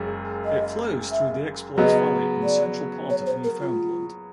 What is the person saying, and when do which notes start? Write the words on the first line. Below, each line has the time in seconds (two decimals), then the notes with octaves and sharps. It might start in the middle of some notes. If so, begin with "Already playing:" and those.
It flows through the Exploits Valley in the central part of Newfoundland.
Already playing: F#1 F#2 G#3
0.45 D#5
1.11 E5
1.77 C#3 F#3 B3 D#5
2.43 D5
3.10 C#5
3.26 C5
3.44 A#4
3.60 F4